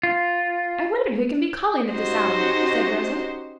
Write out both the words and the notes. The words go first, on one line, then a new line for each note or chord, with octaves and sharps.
"I wonder who can be calling at this hour," said Rosa.
F4
C#4 D#4 F#4 G4 C5 D#5